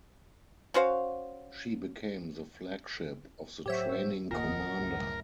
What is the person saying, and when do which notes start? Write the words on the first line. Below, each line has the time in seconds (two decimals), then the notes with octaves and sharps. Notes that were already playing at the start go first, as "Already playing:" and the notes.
She became the Flagship of the Training Commander.
0.74 C#4 F#4 C5 F5
3.66 A2 F#3 G4 C5 C#5 E5
4.31 F#1 D#2 A#2 A#4 D#5 F#5
4.80 C#2 F#2 A2